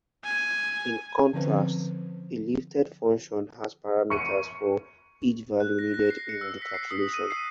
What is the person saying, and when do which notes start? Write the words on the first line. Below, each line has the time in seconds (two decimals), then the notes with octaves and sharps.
In contrast a lifted function has parameters for each value needed in the calculation.
0.24 G#5
1.33 D3 F3 C4 C#4 B4 C5
4.10 C#6 C#7 D#7
5.60 F#6
5.79 A#6
5.94 A#6
6.10 C7
6.29 C#7
6.41 E6
6.62 B6
6.74 C7
6.91 D#6
7.14 D#7
7.31 C7